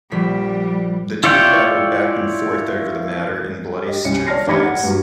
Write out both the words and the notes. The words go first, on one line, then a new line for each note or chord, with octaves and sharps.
The two battled back and forth over the matter in bloody street fights.
A#1 G3 B6
E4 F4 C#5 D5 G5
G4 D#5
C2 C#4 C#7
C#5 D5 A5 F6 A#6 C7
A1 D#4 G4 B5 G#6 C#7
F#5
G2 F#3